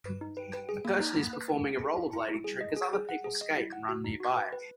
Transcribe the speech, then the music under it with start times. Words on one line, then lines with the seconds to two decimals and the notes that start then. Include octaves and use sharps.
A person is performing a rollerblading trick as other people skate and run nearby.
0.05 B4
0.21 D#4
0.37 B4
0.53 B4
0.69 G#4
0.85 A#3
1.01 D#4
1.17 A#3
1.33 B4
1.48 D#4
1.64 G#4
1.81 G#4
1.97 E4
2.13 E4
2.29 E4
2.44 G#4
2.61 D#5
2.76 G#4
2.93 G#4
3.09 F#5
3.24 G#4
3.41 D#5
3.57 E4
3.72 F#5
3.89 F#4
4.04 D#4
4.20 F#4
4.37 B4
4.52 B4